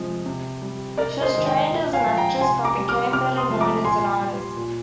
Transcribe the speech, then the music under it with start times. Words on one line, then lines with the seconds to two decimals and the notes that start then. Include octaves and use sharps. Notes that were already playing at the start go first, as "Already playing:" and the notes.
She was trained as an actress, but became better known as an artist.
Already playing: C3 F3 G#3
0.26 C3
0.62 G3
0.97 C3 A#4 D5
1.21 C5 D#5
1.34 D#3 G#3
1.45 D#5 G5
1.70 A#2
1.93 F5 G#5
2.06 F3 G#3
2.17 G5 A#5
2.41 C3 G#5 C6
2.65 A#5 D6
2.77 G3
2.89 D6 F6
3.12 C3 D6 F6
3.37 C6 D#6
3.49 F3 G#3
3.61 A#5 D6
3.84 A#2 G#5 C6
4.21 G3
4.56 A#2